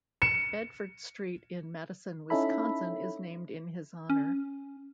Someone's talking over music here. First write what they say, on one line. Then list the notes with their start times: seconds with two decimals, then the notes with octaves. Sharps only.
Bedford Street in Madison, Wisconsin is named in his honor.
0.22 C#7 E7
2.30 C#4 D#4 E4 A4 E5 B5
4.10 C#4